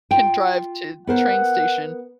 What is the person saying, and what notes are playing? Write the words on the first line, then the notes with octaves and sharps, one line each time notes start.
can drive to the train station
F4 G5
B3 A#4 C5 F#5